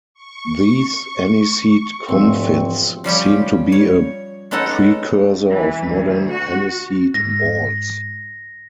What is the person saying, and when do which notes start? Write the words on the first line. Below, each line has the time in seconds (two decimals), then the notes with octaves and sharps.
These aniseed comfits seem to be a precursor of modern aniseed balls.
0.14 C#6
2.09 E1 G#2 F3 C4 F#4
3.04 F3 G3 C#4 G4
3.72 C#5
4.51 G#3 B3 C#4 D#4 A4 F#5
5.49 E3
5.86 D2
6.30 F#4
7.14 G#2 A#6